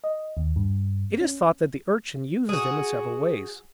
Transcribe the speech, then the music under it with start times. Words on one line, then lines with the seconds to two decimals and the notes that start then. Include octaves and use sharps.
It is thought that the Urchin uses them in several ways.
0.04 D#5
0.37 D#2
0.56 G2
1.21 C#4
2.49 F#4 G#4